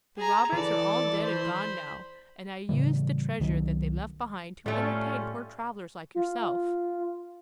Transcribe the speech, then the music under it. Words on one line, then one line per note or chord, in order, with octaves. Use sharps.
The robbers are all dead and gone now, and I use the treasure that they left behind to entertain poor travellers like yourself.
G#4 A#5
E3 A4 D5
C5 B5
A2 C#3 E3 G3
C2 D#3 F#3
A2 G3 A3 C#4 F4
F4